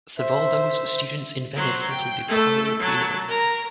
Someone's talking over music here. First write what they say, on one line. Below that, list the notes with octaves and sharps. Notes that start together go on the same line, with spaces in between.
Savoldo's students in Venice included Paolo Pino.
C5 E5
F#3 C5
G5
A3 A4
F#3 A5
A#4 A#5